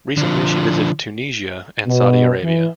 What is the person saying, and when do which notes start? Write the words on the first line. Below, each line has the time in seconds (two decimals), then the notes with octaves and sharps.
Recently, she visited Tunisia and Saudi Arabia.
0.17 D3 F3
1.87 B2
2.41 E3